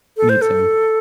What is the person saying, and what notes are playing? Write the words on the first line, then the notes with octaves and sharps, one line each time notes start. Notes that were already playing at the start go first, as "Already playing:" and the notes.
me too.
A4
C5
A4